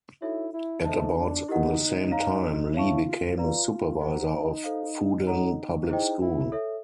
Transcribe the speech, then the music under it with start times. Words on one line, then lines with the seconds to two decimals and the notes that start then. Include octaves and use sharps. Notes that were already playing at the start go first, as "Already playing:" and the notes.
At about the same time, Li became a supervisor of Fudan Public School.
0.22 D#4 E4 F#4 A4 C#5 E5
0.53 E4
0.85 D#4 A4 C5 E5 A5
1.16 D4
1.48 D#4 E4 G4 A#4 D#5 F#5
2.11 C#5 F5 A#5
2.74 E4 C#5 F5 A5 C#6
3.06 F4
3.37 F4 B4 D5 F5 A#5
4.00 D#4 G4 C5 D#5 F#5 A#5
4.64 A4 C5 F5
5.27 A4 C#5 F#5 A#5
5.89 D#4 E4 G#4 C5 D#5 G5
6.21 E4
6.52 A4 C#5 E5